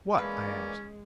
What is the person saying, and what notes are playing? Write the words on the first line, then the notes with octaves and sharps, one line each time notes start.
"What?" I asked.
E3 F3 G#3 A#3 C#4 E4 B4 D5